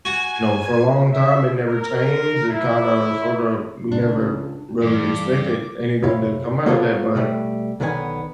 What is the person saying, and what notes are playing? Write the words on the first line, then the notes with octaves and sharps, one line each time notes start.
you know, for a long time it never changed, it kind of, sort of we never really expected anything to come out of that, but,
F#4 G#5
E5
A#4
E4
C#2 D4
G2 E3 D6
F#2 C3 E4 C#5 F5
A#3 B3 F4 A4 C5 C#5
B2 G3 A3
B1 D3 D#3 B3 C#5 G#5